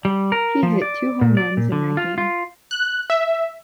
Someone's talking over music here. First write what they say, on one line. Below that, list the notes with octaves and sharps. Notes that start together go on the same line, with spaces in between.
He hit two home runs in that game.
G3
A#4
F3
D5
A#2
D5
A#2
D3
F4
F4
F#6
E5